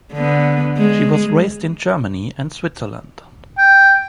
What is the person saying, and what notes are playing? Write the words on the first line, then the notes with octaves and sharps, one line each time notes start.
She was raised in Germany and Switzerland.
D3 B3
G#3
G5